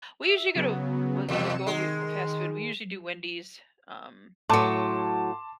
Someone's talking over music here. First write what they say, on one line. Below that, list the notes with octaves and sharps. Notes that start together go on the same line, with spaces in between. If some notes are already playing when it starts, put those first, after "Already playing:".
we usually go to w when we go we fast food, we usually do Wendy's. Um,
E5
C#3 F#3 B3
E2 C3 C#7 E7
D#3 G#3
A2 F#3 A5 C6 D6